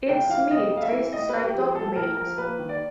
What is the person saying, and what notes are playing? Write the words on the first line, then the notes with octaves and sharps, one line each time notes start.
Its meat tastes like dog meat.
F1 G5
E3 F5
C3 D#5
F2
F5
E5
E3
A2 D#5
A3 B4
G4
F3 G#4
A2 A4
A4
A#1 A#4
F3 A#4
A#3 B4
D#3
D5